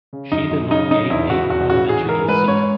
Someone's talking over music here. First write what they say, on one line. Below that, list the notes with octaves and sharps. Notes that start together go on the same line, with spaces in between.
She did not gain a parliamentary seat.
C#3
F#2 D#4
F#2
C#3 D#4
C#3 D#4
E2 E4
C#3 F#4
E2 F#4
C#3 F#4
E3 G#4
E3 A#4
G#2 B4
G#2 C#5